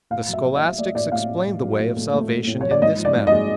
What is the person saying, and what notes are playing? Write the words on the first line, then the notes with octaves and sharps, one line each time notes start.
The scholastics explain the way of salvation in this manner.
A2 F5
F#3
E5
F#3
D#5
F#3
A3 D5
A2 D5
A2 F5
A2
A2
F#3
A2
A3
A3
A3
A2
F#3 C#5
D5
G#2 D#5
F3
D5
G#2
D#5
G#3